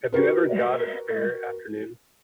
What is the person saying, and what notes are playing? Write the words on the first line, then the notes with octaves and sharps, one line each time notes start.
Have you ever got a spare afternoon?
F#4 G4 A#4 B4